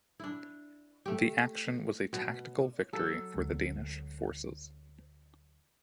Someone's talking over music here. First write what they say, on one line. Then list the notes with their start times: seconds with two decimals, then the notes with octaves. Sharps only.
The action was a tactical victory for the Danish forces.
0.20 D4 E4
1.06 A3 G4
2.13 B2
2.93 F#3 A4
3.34 D2 G#3